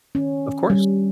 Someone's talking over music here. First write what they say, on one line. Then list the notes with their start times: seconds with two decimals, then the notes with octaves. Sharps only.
Of course.
0.15 D#3 C#4
0.70 G3